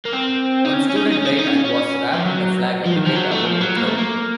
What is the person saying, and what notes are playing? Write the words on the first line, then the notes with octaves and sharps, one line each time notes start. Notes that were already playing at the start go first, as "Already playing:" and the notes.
One student died and was wrapped in a flag and held above the crowd.
A#3
C4
D#4
C#4
C#4
D#4
C#4
D#4
C#4
D#4
C#4
D#4
C#4
C#4
F3
F#3
F3
D#3
F3
F#3
A3
F3
F#3
A#3
A3
A#3